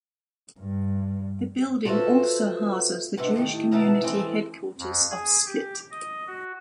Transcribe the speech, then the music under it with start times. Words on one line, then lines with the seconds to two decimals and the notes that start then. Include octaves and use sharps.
The building also houses the Jewish community headquarters of Split.
0.59 G2
1.85 F4 F#4 A4 B4 C5 E5
3.17 C3 A4 B4 C5 F#5
3.36 A2 D#3 G4
3.71 B2 D#3 D#4 B4 E5 A5
4.03 E3 G#3 C4 A4
4.78 F2
5.10 G#4
5.46 G4
5.91 D#5
6.27 F#4